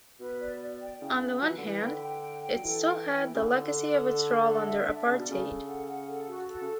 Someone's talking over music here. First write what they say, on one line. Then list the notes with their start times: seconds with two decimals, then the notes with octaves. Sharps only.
On the one hand, it still had the legacy of its role under apartheid.
0.20 B2 B4
0.40 D5
0.61 D5
0.81 G5
1.01 C#3 E4
1.21 B4
1.42 F#3 B4
1.50 E3
1.57 D3
1.62 E3 B4
1.82 D3 G5
2.03 G5
2.22 G5
2.43 G5
2.54 F#3
2.64 E3 A4
2.83 G5
3.04 E4
3.24 E4
3.34 C#3
3.44 D3 A4
3.64 A4
3.85 A4
4.05 D4
4.26 D4
4.46 A4
4.66 E5
4.86 D4
5.07 C#3 D5
5.19 B2
5.27 C#3 A4
5.47 A4
5.67 F#5
5.88 F#5
6.08 A4
6.28 F#4
6.48 A4
6.61 C#3